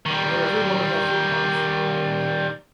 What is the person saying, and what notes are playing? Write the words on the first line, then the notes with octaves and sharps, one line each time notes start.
I know every one of their footpaths ...
D#3 G3